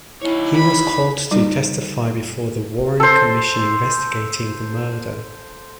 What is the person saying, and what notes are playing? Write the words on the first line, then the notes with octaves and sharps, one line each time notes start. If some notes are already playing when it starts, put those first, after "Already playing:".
He was called to testify before the Warren Commission investigating the murder.
D#4 E4 C#5
B5
G3 D#4
A4 C5